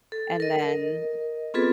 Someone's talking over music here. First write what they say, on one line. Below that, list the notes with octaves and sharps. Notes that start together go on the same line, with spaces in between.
And then
A4
A#4 D#5
B3 C4 F4 G#4 A4 B4